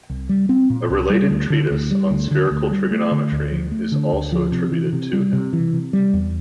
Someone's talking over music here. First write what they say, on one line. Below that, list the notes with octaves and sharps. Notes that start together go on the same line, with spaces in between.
A related treatise on spherical trigonometry is also attributed to him.
C2
G3
C4
A#2
C2
G3
D2
D3
D2
G3
D2
D3
D2
G3
A3
D3
D2
F3
A3
D3
D2
F3
C3
E3
C3
G3
C3
E3
C3
G3
E2